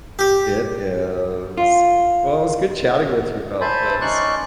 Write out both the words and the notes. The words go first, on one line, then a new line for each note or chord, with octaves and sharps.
It is. Well, it was good chatting with you about this.
G4
F4
C5 E5 G#5 A5 B5
C#4 D#4 D5 C6 C#6 F#6